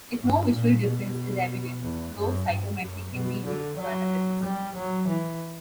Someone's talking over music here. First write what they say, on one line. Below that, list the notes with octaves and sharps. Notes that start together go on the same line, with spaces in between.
If no visual difference is evident, flow cytometry can be used for analysis.
G2
A#2
B2
E2
F#2
G2
F#2
B2
D3
F#3
G3
F#3
E3